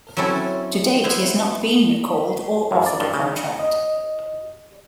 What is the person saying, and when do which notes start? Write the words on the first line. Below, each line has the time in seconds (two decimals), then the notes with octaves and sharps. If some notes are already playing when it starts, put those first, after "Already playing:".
To date, he has not been recalled or offered a contract.
0.17 F#3 C4 C#4 E4 A4
1.04 B3 E4 C5
2.71 F#2
2.86 D5
3.00 G2
3.14 C#3
3.59 D#5